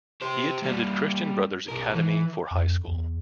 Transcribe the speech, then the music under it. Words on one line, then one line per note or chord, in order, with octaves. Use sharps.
He attended Christian Brothers Academy for high school.
G4 C5
G3 A#3
B1 A#4
E3
F2
E2